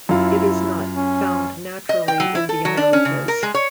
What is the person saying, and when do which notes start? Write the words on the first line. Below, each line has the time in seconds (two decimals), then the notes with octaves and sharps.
It is not found naturally in the Americas.
0.09 F#2 E4 F4
0.95 C#4
1.89 D#5
2.08 G5
2.20 F#3
2.35 E4
2.49 A4
2.65 F#3
2.77 D4
2.93 C#4
3.05 C#3
3.28 A#4
3.43 G#3
3.54 C#5